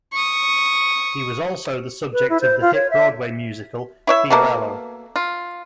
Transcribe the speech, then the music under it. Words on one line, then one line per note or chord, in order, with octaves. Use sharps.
He was also the subject of the hit Broadway musical Fiorello!
C#6 D#6
B4
E4
C5
F4
C#5
E5
E4 C#5 E5
B2 A3 A#3
F4